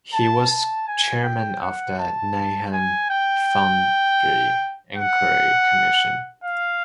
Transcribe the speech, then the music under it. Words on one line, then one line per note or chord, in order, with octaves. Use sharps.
He was chairman of the Nahan Foundry Enquiry Commission.
A5
A5
G#5
G5
F#5
A5
G#5
G5
F#5
F5